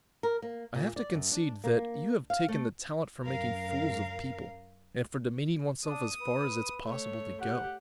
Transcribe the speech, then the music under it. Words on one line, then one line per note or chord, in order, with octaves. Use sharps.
I have to concede that you have taken the talent for making fools of people and for demeaning oneself as far as it's possible to go.
A#4
A#3
A#2
D5
F#2
D4
A#3
F5
A3
F#2 A#4 F5
D4 D#6
B4
A3 C#5
G4 F#5